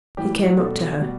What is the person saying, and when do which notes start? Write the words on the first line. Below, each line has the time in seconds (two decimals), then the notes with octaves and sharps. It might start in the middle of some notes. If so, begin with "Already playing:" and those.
He came up to her.
0.17 A2 E3 G3 G4
0.58 B2 G3 A4
1.00 B2 G3